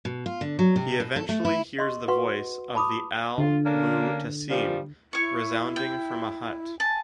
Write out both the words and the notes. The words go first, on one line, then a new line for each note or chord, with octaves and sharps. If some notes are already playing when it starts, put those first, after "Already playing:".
He eventually hears the voice of the Al-Mu'tasim resounding from a hut.
B2
F4
D3
F#3
C3
B2
A4
A3
E4
D#5 C6 C#6
F#4 B4 F#5 C6 C#6
A5 B5 D6 D#6
D3 F4
A#3 C#4 D4
A#2 F3 G3
E4 C#5 C#6
G5
G#5 A5